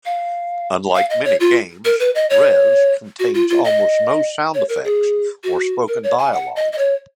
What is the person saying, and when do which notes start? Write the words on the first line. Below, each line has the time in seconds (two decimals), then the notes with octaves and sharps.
Unlike many games, "Rez" contains almost no sound effects or spoken dialogue.
0.06 F5
0.95 F5
1.10 D#5
1.25 C#5
1.40 F4
1.85 A#4
2.00 B4
2.15 D#5
2.30 C#5
3.19 F#4
3.34 F4
3.50 F4
3.64 D#5
4.54 C#5
4.69 A#4
4.84 G#4
5.44 F#4
5.88 A#4
6.03 C#5
6.18 G#5
6.33 F#5
6.56 D#5
6.72 D#5
6.78 C#5